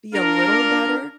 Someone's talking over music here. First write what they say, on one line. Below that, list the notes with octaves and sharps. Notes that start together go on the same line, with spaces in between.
be a little better
D4 F4 A#4